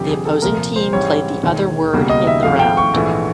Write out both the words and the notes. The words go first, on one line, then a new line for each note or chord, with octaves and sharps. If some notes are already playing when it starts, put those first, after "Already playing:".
The opposing team played the other word in the round.
Already playing: F1 F2 D3 G3 G4
G#4
A4
C2 A#2 F3 A#4
C5
G#2 E3 G3 C4 C#5
E1 D#2 D#3 G#3
C#2 B2 G3 A#3
D#5
E5
G#1 G#2 F3 A3 F5
G5
C#6
A#1 G#2 E3 A3